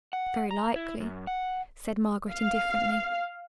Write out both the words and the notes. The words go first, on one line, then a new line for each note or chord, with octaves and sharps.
'Very likely,' said Margaret, indifferently.
F#5
A#5
E4
F#2
F#5
F5